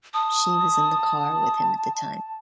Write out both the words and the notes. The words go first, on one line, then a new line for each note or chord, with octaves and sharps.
She was in the car with him at the time.
A5 D#6